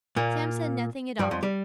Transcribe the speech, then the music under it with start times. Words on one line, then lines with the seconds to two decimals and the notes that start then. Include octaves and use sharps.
Sam said nothing at all.
0.16 A#2 A#3
1.19 G2 G3
1.31 F2 F3
1.43 G3